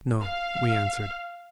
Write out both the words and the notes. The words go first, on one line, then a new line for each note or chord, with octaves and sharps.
"No," we answered.
F5